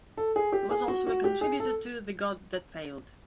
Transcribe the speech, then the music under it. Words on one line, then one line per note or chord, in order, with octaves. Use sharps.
He was also a contributor to "The God That Failed".
A4
G#4
G4
G#4
F#4
F#4
G4
G#4
A4